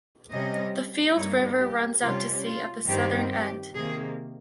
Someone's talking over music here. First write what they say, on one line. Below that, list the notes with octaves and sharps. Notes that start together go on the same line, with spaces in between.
The Field River runs out to sea at the southern end.
C3 G3 C#4 D#5
G2 G3 A#3 D#4 C#5
G4
C3 G3 C#4 F4
F4
G2 D#3 G3 C4 G4
G4
C3 D#3 A#3 G#4